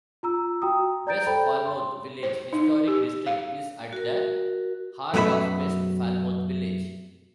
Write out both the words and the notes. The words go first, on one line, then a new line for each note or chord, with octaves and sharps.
West Falmouth Village Historic District is at the heart of West Falmouth Village.
F4 A#5 E6
F#4 G5 A#5 D#6
D5 A#5 G6 A6 D7
A4 C5 G5 B5
C6
C5
D#4
G4
F5
F#4 A#4
F#2 B2 A3 D#4 E5 B5